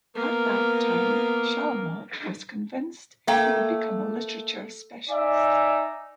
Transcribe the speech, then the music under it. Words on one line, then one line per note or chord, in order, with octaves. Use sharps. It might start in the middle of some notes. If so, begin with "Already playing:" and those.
At that time Shalamov was convinced that he would become a literature specialist.
A#3 B3
A3 A#3 G5
D#4 D5 E5 G#5